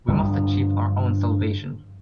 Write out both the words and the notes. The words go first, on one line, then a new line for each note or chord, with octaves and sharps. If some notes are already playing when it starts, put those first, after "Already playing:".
We must achieve our own salvation.
G2 D3 F3